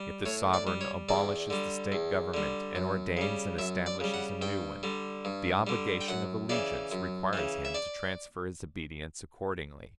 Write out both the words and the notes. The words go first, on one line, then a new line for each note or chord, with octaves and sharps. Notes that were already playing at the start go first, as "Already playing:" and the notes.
If the sovereign abolishes the State government and ordains and establishes a new one, the obligation of allegiance requires him to transfer his obedience accordingly.
Already playing: G3
A2 C#5
D5
G3
C#5
E2 D5
D3 G3
E2
D3 G3
F#2
C#3 G3
F#2 E5
D5
C#3 G3
F#5
G2 G5
D3 G3
G2
D3 G3
G5
F#2 F#5
C#3 E3 D5
F#2
C#3 E3
E5
D5